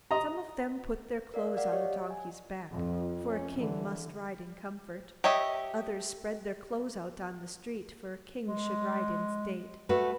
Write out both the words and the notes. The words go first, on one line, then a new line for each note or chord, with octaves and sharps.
Some of them put their clothes on the donkey's back, for a king must ride in comfort. Others spread their clothes out on the street, for a king should ride in state.
D#5 A#5
A#4 D5 F5
D5 F5 F#5
G4 C#5 D#5
G#5
F2 F3
C#4
D3 E3
G4 C#5 D#5 E5
G#3
A3 F#4 B4